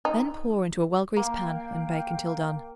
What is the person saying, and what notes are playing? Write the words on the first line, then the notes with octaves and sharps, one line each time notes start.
Then pour into a well-greased pan and bake until done.
D#4
A#3 F5 G5